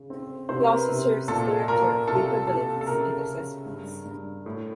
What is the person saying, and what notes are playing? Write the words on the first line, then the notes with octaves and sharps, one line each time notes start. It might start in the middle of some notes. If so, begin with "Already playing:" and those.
He also serves as Director of Capabilities and Assessments.
Already playing: C#3
C4
C3 C5
A#4
B4
C3
A#2 A4
A#2 A#4
C3 A4
C3 A4
A4
C#3 A#4
C#3
G2
G2
A2